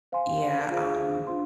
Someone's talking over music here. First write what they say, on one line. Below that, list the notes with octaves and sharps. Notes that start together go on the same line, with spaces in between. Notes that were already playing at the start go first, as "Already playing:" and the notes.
Yeah. Um,
C5 F5 G#5 C6
F4 G#4 C5 F5
D4 F4 C5 F5 C6